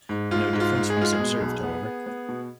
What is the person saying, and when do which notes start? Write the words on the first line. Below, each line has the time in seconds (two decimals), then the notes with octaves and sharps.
No difference was observed, however.
0.09 G#2
0.31 G#2 F4
0.53 G#2
0.60 F4
0.75 G#2
0.90 G#4
0.97 G#3 F4
1.13 G#4
1.20 B2
1.40 B1
1.63 B3
1.85 B3
2.06 B3
2.29 B2